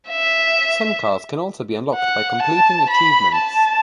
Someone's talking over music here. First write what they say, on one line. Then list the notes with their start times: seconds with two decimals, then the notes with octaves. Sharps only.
Some cars can also be unlocked by completing achievements.
0.09 E5
1.96 F#5
2.43 A5
2.90 B5
3.37 A5